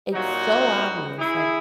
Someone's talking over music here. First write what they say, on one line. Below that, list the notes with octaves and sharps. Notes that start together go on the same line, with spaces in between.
it's so obvious, like,
A#2 F#3 D#4 F#4
E4 G#4